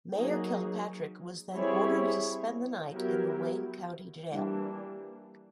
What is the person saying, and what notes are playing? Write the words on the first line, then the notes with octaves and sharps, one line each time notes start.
Mayor Kilpatrick was then ordered to spend the night in the Wayne County jail.
F#3 A#3 D#4 G#4
G3 C4 E4 G#4 C#5
F#3 B3 E4 G4 A#4
E3 G3 A#3 D4